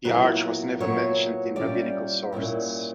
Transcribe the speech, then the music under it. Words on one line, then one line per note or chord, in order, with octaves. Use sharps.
The arch was never mentioned in rabbinical sources.
A#2 F#3 B3 E4 B4
A#2 F#3 B3 E4 C#5
A#2 G3 C#4 E4 D5
A#2 G3 C#4 E4